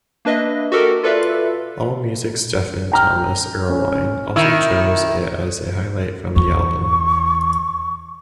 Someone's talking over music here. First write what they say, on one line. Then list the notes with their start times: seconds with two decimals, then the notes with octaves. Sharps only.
Allmusic's Stephen Thomas Erlewine also chose it as a highlight from the album.
0.25 A#3 D4 B4 D#5 E5
0.72 F#4 G4 A4 A#4
1.03 F4 A4 B4 D5 E5 F5
2.92 G5 A#5 F6
3.70 C#4
4.36 D#3 E4 E6
6.36 E2 C#6